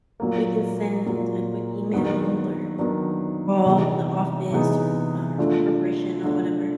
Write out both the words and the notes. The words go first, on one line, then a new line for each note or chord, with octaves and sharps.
We can send a quick email or or call the office, er, or corporation or whatever
A#2 F#3 A#3
A#2 F#3 A#3
D#3 F#3 B3 D4
D#3 F#3 B3 D4
C3 E3 G#3 B3 D#4
C3 E3 G#3 B3 D#4
D3 F3 A3 D4
D3 F3 A3 D4